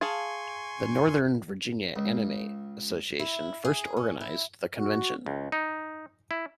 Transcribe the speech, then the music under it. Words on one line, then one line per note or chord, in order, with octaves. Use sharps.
The Northern Virginia Anime Association first organized the convention.
G#4 F5 G#5 A5 C6 C#6
C#2
E4
G#4
C#4
E4
F#4
C#2
D#4
E4